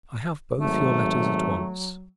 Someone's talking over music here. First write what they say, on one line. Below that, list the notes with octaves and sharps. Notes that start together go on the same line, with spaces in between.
I have both your letters at once.
G#1 F#3 A3